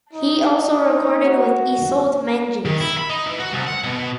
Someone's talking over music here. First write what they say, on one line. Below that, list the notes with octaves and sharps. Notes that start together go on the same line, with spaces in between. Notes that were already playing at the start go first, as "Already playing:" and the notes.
He also recorded with Isolde Menges.
D#4
D#4
F#4
D#3
E4
B5
D#4
E3
F#4
C2
F#5
B2